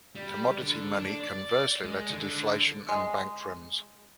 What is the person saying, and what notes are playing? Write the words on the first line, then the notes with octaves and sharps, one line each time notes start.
Commodity money conversely led to deflation and bank runs.
G3
D3
D4
D5
G#3
D3
G#3